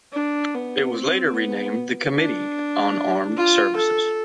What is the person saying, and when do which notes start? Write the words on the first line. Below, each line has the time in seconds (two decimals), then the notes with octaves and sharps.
It was later renamed the Committee on Armed Services.
0.13 D4
0.54 B3
0.94 C4
1.34 B3
2.15 D4
3.37 F4
3.76 A4